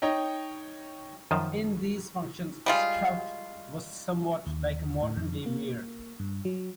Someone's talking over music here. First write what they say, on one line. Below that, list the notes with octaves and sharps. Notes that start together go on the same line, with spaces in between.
In these functions, a "schout" was somewhat like a modern-day mayor.
D#4 C#5 D#5 G5
F#2 D#3 F3 F4 D#5 A5
G3 G#3 F4
D#2
A2
F2
A#3
G2
F#3